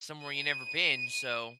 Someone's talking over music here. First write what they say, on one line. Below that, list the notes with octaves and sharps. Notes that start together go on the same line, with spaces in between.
somewhere you never been, so
D#7